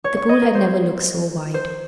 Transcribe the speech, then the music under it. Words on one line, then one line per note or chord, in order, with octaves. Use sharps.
The pool had never looked so wide.
C#5
C#5
D#5
A#4
C5
C5